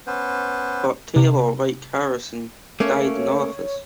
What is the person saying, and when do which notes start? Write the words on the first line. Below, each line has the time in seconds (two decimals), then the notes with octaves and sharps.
But Taylor, like Harrison, died in office.
0.07 B3 C#4 B4 C5
1.16 C3
2.80 A3 A#3 C#4 C#5